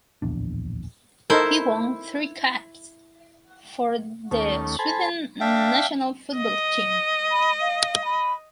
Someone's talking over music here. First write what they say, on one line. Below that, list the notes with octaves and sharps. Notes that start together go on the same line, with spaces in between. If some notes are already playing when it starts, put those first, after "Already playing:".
He won three caps for the Sweden national football team.
D1 A#1 E2 D4
D#4 E4 A4 A#4 C5
D#2 A3 C#4
A4 C5 G#5 A5 B5
D4 E5 F5 G5
D#5
B5
F5
B5